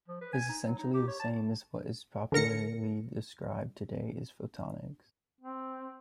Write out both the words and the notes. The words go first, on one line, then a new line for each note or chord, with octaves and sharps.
It is essentially the same as what is popularly described today as photonics.
F3
B4
G#5
D#4
F#3
D#4
G4
C#5
A5
D3 D#3 A#4 A#6 C#7
C4